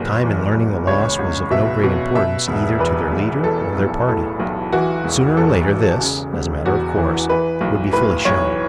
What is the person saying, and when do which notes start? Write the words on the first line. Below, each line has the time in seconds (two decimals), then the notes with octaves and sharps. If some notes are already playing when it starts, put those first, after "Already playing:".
Time in learning the loss was of no great importance either to their leader or their party. Sooner or later this, as a matter of course, would be fully shown.
Already playing: F#1 B2
0.23 E2
0.55 F#1
0.87 C#2 C#5
1.19 C#2
1.51 B2 E5
1.83 B2
2.15 B2 E5
2.48 E1
2.79 E2 B4
3.12 E1
3.43 E3 A4
3.76 B1
4.08 A2 A4
4.40 B1
4.72 E3 F#4
5.04 E1
5.37 E2 A4
5.68 E1
6.01 C#3
6.33 E1
6.65 E2 F#4
6.98 E3
7.29 E3 B4
7.61 B1
7.93 A2 B4
8.25 B1 C#5